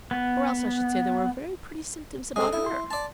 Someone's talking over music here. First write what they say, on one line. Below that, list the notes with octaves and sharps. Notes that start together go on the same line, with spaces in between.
Or else I should say there were very pretty symptoms about her!'
B3
G#3 C4 A4 D#6
E4
C6
D5 A5